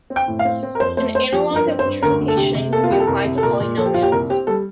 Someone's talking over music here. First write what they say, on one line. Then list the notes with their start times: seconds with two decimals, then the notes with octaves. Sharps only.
An analogue of truncation can be applied to polynomials.
0.10 C4
0.16 G5
0.28 A2
0.39 F5
0.45 C4
0.63 C4
0.75 A#4
0.80 F2 C5
0.97 A3 C5
1.15 C4 C5
1.32 F3 G4
1.50 G2
1.56 A#4
1.68 C4
1.79 C5
1.85 G2
2.02 D2 A#4
2.20 D2
2.28 A4
2.37 C3 G4
2.55 C3
2.73 A#3 A4
2.84 F4
2.90 C2 G4
3.00 A4
3.07 C2 A#4
3.24 C3
3.38 A4
3.43 A#2 A#4
3.60 A#2
3.78 F3 A4
3.86 G4
3.94 A#2 F4
4.02 G4
4.12 C2 A#4
4.30 C4 G4
4.47 G3 A4